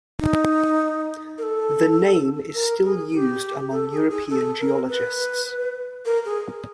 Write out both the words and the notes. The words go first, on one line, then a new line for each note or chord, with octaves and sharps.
The name is still used among European geologists.
D#4
A#4
A4
A#4
G#4
G4
A4
G#4
G#4
A4
A#4
B4
A#4
G#4